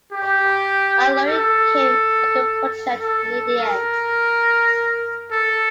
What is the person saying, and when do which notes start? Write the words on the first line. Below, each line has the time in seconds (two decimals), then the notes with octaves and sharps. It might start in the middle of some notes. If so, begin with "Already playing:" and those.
Al Lowe came onto the project near the end.
0.12 G4
1.28 A4
3.01 A4
3.58 A#4
5.31 A4